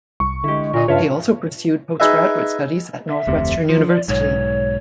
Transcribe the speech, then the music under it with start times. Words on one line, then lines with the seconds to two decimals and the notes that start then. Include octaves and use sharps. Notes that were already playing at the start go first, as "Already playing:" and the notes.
He also pursued postgraduate studies at Northwestern University.
0.20 C2 C#6
0.44 D3 G#3 E4 G4
0.73 A#2 A#4 D#5
0.88 G2 C#3 F4 C#5 E5 F5 A5
2.00 D#4 G#4 B4 D#5 E5
3.08 E5
3.27 F1 D2 C3
3.69 F3 D#4
3.88 D5
4.08 B1 G#2 C#5